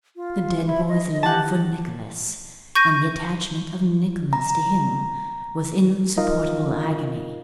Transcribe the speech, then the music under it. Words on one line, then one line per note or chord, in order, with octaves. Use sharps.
The dead boy's love for Nicholas, and the attachment of Nicholas to him, was insupportable agony.
F4
E4
D#5
G4 F#5 A5
C#6 G6 A#6 D#7
A#5
D#4 F4 A#4 D#5 F5